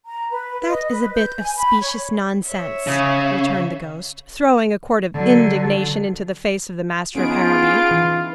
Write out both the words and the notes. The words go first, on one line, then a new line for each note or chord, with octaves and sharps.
"That is a bit of specious nonsense," returned the ghost, throwing a quart of indignation into the face of the master of Harrowby.
A#5
B4
D#5
B4
G6
G#5
B5
C#5
C#5 E5
C#3
D3 F#3
B3 C#4 D#4 F4 G#4 D7
E3 B4